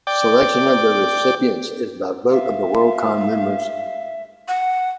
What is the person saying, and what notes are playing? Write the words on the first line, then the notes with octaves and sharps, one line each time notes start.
Selection of the recipients is by vote of the Worldcon members.
D5 G5
E5 F5
F#5